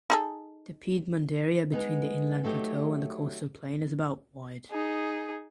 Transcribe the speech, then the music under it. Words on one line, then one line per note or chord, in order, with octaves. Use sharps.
The piedmont area between the inland plateau and the coastal plain is about wide.
D#4 G#4 A4
G#3 B3 D#4
F#3 A3 D#4 G4
D#4 G#4